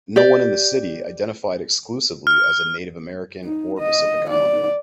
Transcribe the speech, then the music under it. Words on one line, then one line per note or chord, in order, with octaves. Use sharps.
No one in the city identified exclusively as a Native American or Pacific Islander.
G4 D5
F6
D#4
D#5
D5